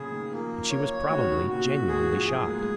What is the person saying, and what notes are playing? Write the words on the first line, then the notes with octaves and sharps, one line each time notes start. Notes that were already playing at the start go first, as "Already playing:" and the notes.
And she was probably genuinely shocked.
Already playing: F#2 A#2 C#3 G#4
D#3
F3 A#3
C#5
D#3 F#4
C#3
C3
A#2 F#4
G#2 G#4
F3
F#3 G#4
A#3
G#3
G#3